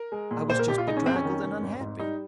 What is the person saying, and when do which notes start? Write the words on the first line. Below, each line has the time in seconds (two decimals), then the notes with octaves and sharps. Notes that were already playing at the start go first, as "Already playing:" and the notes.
I was just bedraggled and unhappy.
Already playing: A#4
0.12 G#3
0.31 A#2
0.49 A#1 C5
0.59 A#4
0.68 A#1 G4
0.78 F4
0.88 G#3 D#4
0.97 C#4
1.06 F2 C4
1.16 C#4
1.25 D#3
1.44 F1
1.62 G#1
1.81 G#2
1.99 G3 D#4